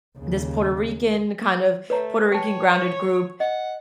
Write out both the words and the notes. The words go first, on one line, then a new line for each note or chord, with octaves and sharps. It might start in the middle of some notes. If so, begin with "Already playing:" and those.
this Puerto Rican, kind of Puerto Rican grounded group
D#2 C#3
A3 B4 C#5 A#5
C#5 G5 A5
D#5 F#5